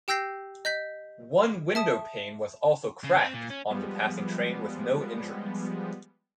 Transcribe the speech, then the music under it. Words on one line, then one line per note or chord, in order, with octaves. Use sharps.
One window pane was also cracked on the passing train with no injuries.
G4 G5 E6 G6 A#6 C7
D#5 G6 B6
E5 A5 D#6
C#3
C4
A#2
C#4
F3 G3 G#3 B3